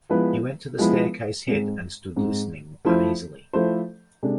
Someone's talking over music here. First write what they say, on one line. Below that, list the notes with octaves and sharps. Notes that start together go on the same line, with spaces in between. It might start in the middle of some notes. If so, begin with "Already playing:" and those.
He went to the staircase head and stood listening uneasily.
F3 G#3 B3 E4 B4
F3 G#3 B3 E4 B4
G#2 G#3 C4
G#2 G#3 C4
F3 A3 E4 A4 C5
F3 A3 E4 A4 C5
C3 G#3 D4 A4